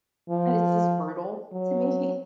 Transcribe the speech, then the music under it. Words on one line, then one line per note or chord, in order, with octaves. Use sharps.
it's just brutal to me.
F3
F#3